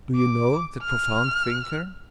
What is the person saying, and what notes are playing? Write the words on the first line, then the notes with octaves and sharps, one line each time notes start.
Do you know that profound thinker?
D6
F6